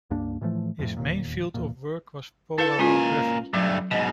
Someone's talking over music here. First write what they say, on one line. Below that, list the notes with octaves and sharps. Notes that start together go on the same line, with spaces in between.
His main field of work was polarography.
C#2 G2 A#3 D4
A2 E3 F3 A3
F2 A2
E1 D#2 A#2
D1 E2 A#2
E4 A4 B4 F5
G#3 A#3 C#4 F4 G#5
G2 F#3 A3
G#2 B2 D#5